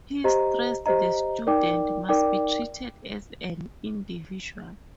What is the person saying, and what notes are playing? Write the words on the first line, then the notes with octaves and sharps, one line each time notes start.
He stressed the student must be treated as an individual.
G4 C5 D#5 A#5
G4 C5 D#5 A#5
D#4 A#4 D5 G5 D6
D#4 A#4 D5 G5 D6